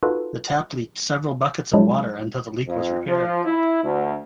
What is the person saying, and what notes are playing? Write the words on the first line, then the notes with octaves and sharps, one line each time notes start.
The tap leaked several buckets of water until the leak was repaired.
D#4 F4 F#4 A4 B4
F3 F#3 G#3 D4 E4
F2
F3
E4
D2